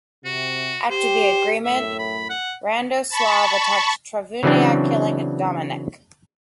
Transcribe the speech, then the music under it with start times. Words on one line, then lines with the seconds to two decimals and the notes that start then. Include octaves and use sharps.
After the agreement, Radoslav attacked Travunia, killing Domanek.
0.25 C3 F#4
0.90 G4 C5
1.64 F#2 A2 E5
1.99 B5
2.30 F#5
3.09 A5 B5 C#6
4.43 C#3 E3 F#3 C4 D4